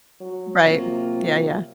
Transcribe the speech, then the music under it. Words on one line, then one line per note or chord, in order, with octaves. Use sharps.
Right. Yeah, yeah,
F#3
C3 F#3 A#3 F4